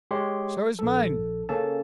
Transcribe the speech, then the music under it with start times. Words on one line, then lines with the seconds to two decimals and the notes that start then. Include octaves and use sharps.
"So has mine."
0.11 G#3 G4 C#5 C6
0.79 A#1 A4
1.49 C#3 A#3 C#4 A4 A5